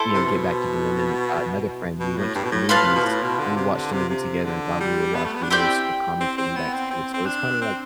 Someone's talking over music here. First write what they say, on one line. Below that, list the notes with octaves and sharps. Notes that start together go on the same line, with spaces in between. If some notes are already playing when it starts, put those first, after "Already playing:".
you know, get back together, and then another friend, we went to the movies and we watched a movie together and while we were watching it, we were sort of commentating back together. So it's kinda, like,
Already playing: E4 A4 C5
C3
B2
B2
A2
G2
B2
A2
A2 F4 B4 F5 A5
C3
B2
A2
B2
D3
C3
D3
C3
C3
D3
G3
B3
A3
B3
D4
C4 E4 G4 D5 G5
C4
C4
B3
C4
C4
C4
D4
C4